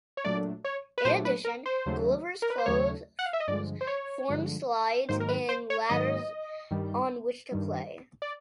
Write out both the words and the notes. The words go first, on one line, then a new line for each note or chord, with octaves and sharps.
In addition, Gulliver's clothes form slides and ladders on which to play.
C#5
A#2 F#3 A3 D4 D5
C#5
B4
A#2 F#3 A3 D4 C5
B4
A#4
C5
D#2 C#3 F#3 A3
A#4
B4
C5
D#2 C#3 F#3 A3 C#5
F#5
F5
E5
D#5
G2 D3 F3 G#3 D5
C5
C#5
G2 D3 F3 G#3
G#2 D#3 F#3 A#3 C5
A#4
B4
C5
C#5
G#2 D#3 F#3 A#3 D#5
G2 D#3 G3
G2 D#3 G3
D5